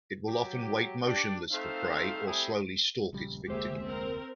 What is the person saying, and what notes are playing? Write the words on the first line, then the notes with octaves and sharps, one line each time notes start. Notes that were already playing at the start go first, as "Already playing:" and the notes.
It will often wait motionless for prey, or slowly stalk its victim.
F#3 G4
D4 G4 D5
A3 C4 D#4 F4 C5 F5
G3 A3 C4 E4 G#4
A#1 C#3 G3
F1 D2 G#3 A#3 G4 G#4 C5 E5
C4 A#4